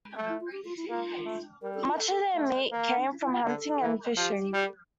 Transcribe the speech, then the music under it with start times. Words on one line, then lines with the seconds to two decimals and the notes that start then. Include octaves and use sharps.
Much of their meat came from hunting and fishing.
0.16 A3
0.28 E4
0.40 F4
0.52 G4
0.65 F4
0.77 E4
0.89 A#3 F4
1.26 A3
1.62 G3 A#4
1.74 A4
1.86 F4
1.94 A#4
1.99 A4
2.11 A4
2.35 A3
2.72 A#3
2.97 D4
3.08 C#4
3.20 E4
3.32 F4
3.44 D3 A4
3.81 E3
4.17 F3 G4
4.54 G3